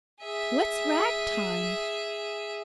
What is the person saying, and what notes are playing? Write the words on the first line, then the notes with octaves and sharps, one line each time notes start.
"What's rag-time?"
G#4 E5